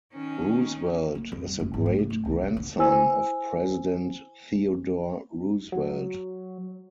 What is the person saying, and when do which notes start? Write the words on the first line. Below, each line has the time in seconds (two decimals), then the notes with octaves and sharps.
Roosevelt is a great-grandson of President Theodore Roosevelt.
0.13 D#3 C#4
1.15 A#3
1.32 F2
1.44 G3
1.60 F#1
1.74 G#1
1.86 A3
1.99 C#3
2.10 A3
2.25 C#2
2.43 C#3
2.57 D3
2.79 E4 C5 G#5 E6
5.72 F#3